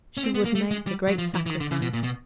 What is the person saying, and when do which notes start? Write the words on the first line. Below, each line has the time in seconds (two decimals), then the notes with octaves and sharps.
She would make the great sacrifice.
0.17 C#4
0.24 C4
0.35 B3
0.45 A#3
0.55 A3
0.71 G#3
0.87 G3
1.08 F#3
1.18 F3
1.34 E3
1.46 E3
1.50 D#3
1.61 D3
1.71 C#3
1.82 B2
1.93 A#2
2.04 B2